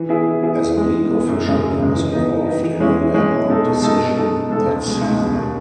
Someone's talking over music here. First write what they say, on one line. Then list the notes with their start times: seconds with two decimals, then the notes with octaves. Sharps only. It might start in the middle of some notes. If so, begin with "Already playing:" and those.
As a league official, he was involved in a landmark decision that season.
Already playing: E3
0.09 B3 E4 G#4
0.26 E3
0.42 B3 E4 G#4
0.60 E3
0.77 G#3 B3
0.94 E3
1.11 G#3 B3
1.28 F#2
1.45 C#3 G#3
1.61 F#2
1.78 C#3 G#3
1.96 E3
2.12 B3 D#4
2.30 E3
2.47 B3 D#4
2.63 E3
2.80 G#3 C#4 E4
2.98 E3
3.14 G#3 C#4 E4
3.31 B2
3.48 G#3 D#4 A4
3.66 B2
3.82 G#3 D#4 A4
3.98 B2
4.15 G#3 D#4 A4
4.32 B2
4.50 G#3 D#4 A4
4.67 C#2
4.83 B2 G#3
5.01 C#2
5.17 B2 G#3
5.35 D#2